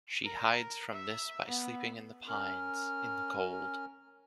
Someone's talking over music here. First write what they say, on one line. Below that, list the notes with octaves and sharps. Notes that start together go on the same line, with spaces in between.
She hides from this by sleeping in the pines, in the cold.
A#4
E5
B3
C#4 A#4 F6